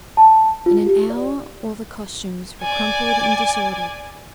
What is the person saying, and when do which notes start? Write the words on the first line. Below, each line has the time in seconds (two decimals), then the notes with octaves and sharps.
In an hour, all the costumes were crumpled and disordered.
0.17 A5
0.66 F4
0.86 G4
1.10 D5
2.62 D5 G#5